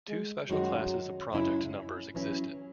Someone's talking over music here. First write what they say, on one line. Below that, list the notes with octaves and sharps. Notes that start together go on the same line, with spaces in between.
Two special classes of project numbers existed.
G#3
F#2 D#3 F#3 G#3 D#4 F#4
F#2 C#3 G#3 C#4 E4
E3 F#3 C#4 E4